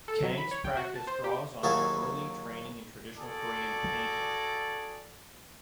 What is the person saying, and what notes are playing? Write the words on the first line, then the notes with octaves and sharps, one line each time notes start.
Kang’s practice draws on her early training in traditional Korean painting.
A4
F#3
B5
C#5
G5
F#4
A5
C5
G4
D#2 F#3 E4 G#4 F5 A5
F#4 G#4 A4 D5